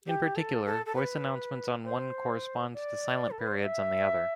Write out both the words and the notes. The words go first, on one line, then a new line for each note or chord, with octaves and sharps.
In particular, voice announcements on one correspond to silent periods on the other.
G4
A4
A4
A4
B4
C5
D5
A4
B4
C5
D5
E5